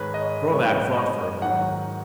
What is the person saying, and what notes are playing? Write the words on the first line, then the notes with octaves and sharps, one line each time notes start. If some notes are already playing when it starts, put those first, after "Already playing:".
Krovac thought for a moment.
Already playing: G#2 D#3 G#3 B4 C#5
D#5
C#5
G#2 F#3 C#5
D#5
G#2 D#3 F#3 F#5